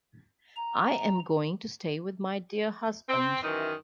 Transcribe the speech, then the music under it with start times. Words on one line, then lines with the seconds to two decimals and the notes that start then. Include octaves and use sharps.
I am going to stay with my dear husband.
0.56 A#5
3.09 C4
3.42 F#2 D#3 E3